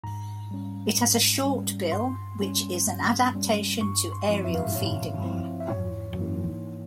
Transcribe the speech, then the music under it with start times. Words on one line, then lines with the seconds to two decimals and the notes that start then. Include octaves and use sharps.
It has a short bill, which is an adaptation to aerial feeding.
0.04 G#2 A#5
0.51 G3 C#4
0.98 G#2
1.45 G3 C#4
1.92 G2 C6
2.39 G3 C#4
2.87 G2
3.35 G3 C#4
3.81 G2 C#6
4.13 C6
4.29 F3 C4 E4
4.45 E5
4.55 F5
4.64 E5
4.75 G2 C#5
5.23 F3 C4 E4
5.60 E5
5.70 G#2 C#5
6.18 E3 A#3 E4